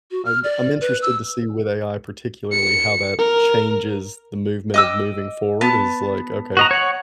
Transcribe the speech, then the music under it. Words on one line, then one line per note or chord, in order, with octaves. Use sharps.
I'm b I'm interested to see with AI, particularly, how that changes the movement of moving forward is like, okay
F#4
F6
D5
B4
E6
C#7
A#4
D#5 D6 E6
B3 A5
F#4 D#5 A#5
C#5 F#5